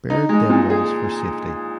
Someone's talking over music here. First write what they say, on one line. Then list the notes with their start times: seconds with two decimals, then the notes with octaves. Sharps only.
Baird then runs for safety.
0.10 D#4
0.29 G#3
0.49 A#2
0.70 G#4